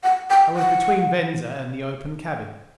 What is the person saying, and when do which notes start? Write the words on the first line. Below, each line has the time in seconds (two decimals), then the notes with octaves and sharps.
I was between Venza and the open cabin.
0.04 F#5
0.30 G5
0.56 F#5